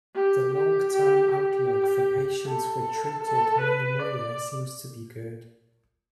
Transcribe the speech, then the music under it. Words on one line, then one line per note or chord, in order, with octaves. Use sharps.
The long term outlook for patients with treated moyamoya seems to be good.
G4
G4
G4
G4
A4
A4
B4
D5